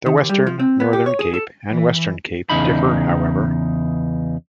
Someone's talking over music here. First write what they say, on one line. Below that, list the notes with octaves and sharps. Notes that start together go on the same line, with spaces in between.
The western Northern Cape and Western Cape differ however.
D#3
D#2
G3
F3
C4
B3
G4
C#5
G#4
A4
E3
E2 C#3 D#4 B5